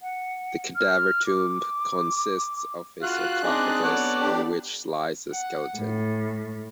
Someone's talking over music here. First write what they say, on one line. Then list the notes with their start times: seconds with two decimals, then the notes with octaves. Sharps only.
The cadaver tomb consists of a sarcophagus on which lies a skeleton.
0.02 F#5
0.76 F6
1.27 D6
3.03 F4 F#4 F5 F#6
3.44 C4 D4 D#4 G#4 D5 D#5
3.83 B3 A4 C#5 D5 F#5
4.19 D4 G4
5.30 F#5
5.76 A2